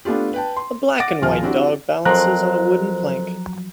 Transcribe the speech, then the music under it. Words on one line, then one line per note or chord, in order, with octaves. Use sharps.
A black and white dog balances on a wooden plank.
A3 B3 D4 F4 G4
B4 G5 A5
C6
F#5 D6 A6 A#6 D7
D#1 F3 F4 G#5 F6
C4 D4 E4 F#4 G4
F2 F3 F#3 A#4 C5 A#5 F#6